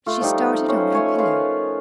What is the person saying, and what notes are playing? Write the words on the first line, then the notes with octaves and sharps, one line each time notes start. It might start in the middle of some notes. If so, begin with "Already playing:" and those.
She started on her pillow.
A3 F4
F3 G3 D#4
C#4 B4 C5 D#5
A3 C#5 G#5
F4 A#4 B4 F5